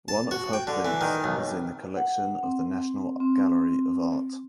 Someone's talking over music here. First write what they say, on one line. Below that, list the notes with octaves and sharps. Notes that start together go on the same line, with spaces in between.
One of her prints is in the collection of the National Gallery of Art.
A5
F#4
G5
D3
E3
D#3
B1
F#5
C4
C4